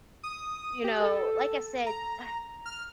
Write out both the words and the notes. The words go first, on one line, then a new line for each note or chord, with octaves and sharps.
you know, like I said, uh,
D#6
G4
A4
A#5
F6